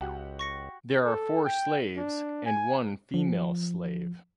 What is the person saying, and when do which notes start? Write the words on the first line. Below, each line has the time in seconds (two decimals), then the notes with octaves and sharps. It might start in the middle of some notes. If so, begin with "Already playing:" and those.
There are four slaves and one female slave.
0.01 C#2 F#4 G4 F#5
0.39 C#6 A#6 C#7
1.05 A4
1.45 G5
1.96 D4
2.46 G#5
3.14 F3